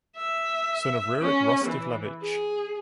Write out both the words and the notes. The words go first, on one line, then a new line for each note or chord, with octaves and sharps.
Son of Rurik Rostislavich.
E5
C#4
E3
G#4